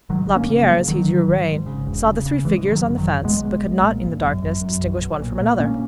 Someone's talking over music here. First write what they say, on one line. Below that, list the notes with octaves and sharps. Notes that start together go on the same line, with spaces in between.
Lapierre, as he drew rein, saw the three figures on the fence, but could not in the darkness, distinguish one from, another.
G#1 D#3 F#3
G#1
A#3 C#4
C#3
F#3 A#3
G#1
G#1 D#3 F#3
G#1
G#1
G#2
C#3
E1
C#3
C#3
G#1 E3 G#3
C#3
D#3 F#3
F#2
D#3 F#3
G#1
B1 G#3 B3
B1
B1
A#2
G#1
F#2
F#2
F#2
B1
B1
A#2
A#2
A#2 A#3 C#4